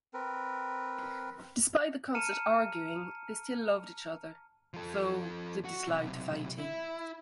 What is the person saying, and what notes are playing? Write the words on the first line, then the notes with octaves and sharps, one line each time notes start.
Despite the constant arguing, they still loved each other, though they disliked fighting.
C4 A#4 B4
A5 A#5 F6 C#7 D#7 E7
F3 A4
F#4
B1 C3
E4